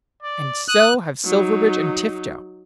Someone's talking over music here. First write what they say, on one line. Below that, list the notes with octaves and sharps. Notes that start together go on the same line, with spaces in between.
And so have Silverbridge and Tifto.
D5
D#6 F#6
F#3 D#4